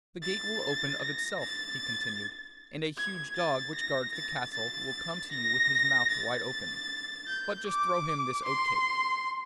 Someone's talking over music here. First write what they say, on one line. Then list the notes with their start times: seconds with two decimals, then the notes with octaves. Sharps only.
'The gate will open of itself,' he continued, 'and a huge dog which guards the castle will come to you with his mouth wide open, but just throw him this oat cake.
0.22 A6
1.01 A#6
1.40 A6
2.97 G#6
3.36 A6
3.75 A#6
4.14 A6
4.53 A6
5.32 A#6
6.10 A6
7.27 G6
7.66 D6
8.45 C6